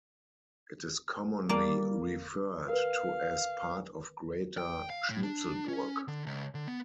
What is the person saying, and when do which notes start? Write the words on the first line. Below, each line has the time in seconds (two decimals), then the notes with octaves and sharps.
It is commonly referred to as part of greater Schnitzelburg.
1.49 G3 A#3 D5
2.69 A#4 B4 F5
4.58 G5
4.90 F5
5.10 A2
5.23 D4
5.68 C#4
6.08 D3
6.26 C#2
6.54 D3
6.67 B3